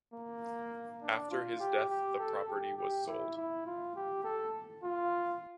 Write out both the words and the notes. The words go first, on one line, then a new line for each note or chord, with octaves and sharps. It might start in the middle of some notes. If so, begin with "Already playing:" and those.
After his death the property was sold.
A#3
D4
F4
G4
G4
A4
G4
G4
E4
E4
F4
G4
A4
F4